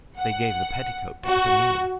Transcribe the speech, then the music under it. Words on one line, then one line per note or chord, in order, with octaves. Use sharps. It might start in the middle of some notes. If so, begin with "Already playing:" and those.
They gave the petticoat to Eponine.
F#5
F#4